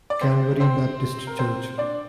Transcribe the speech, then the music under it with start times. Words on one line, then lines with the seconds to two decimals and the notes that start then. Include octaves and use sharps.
Calvary Baptist Church.
0.10 D5
0.21 C4 C5
0.60 C4 C5
1.27 A#4
1.39 C4 C5
1.78 D4 D5